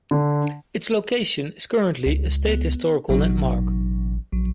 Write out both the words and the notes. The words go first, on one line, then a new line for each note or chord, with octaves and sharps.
Its location is currently a state historical landmark.
D3
C#2
B3
A1 B2 F#3 D#4
A#1 F#3